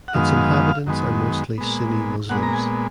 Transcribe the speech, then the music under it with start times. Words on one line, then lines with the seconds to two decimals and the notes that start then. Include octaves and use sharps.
Its inhabitants are mostly Sunni Muslims.
0.08 F#5
0.14 F#2 D#3 G#3 B3 F5
0.87 F#2 D#3 G#3 B3
1.58 A#2 G#3 B3
2.29 A#2 G#3 B3 F#5
2.43 A#5
2.53 G#5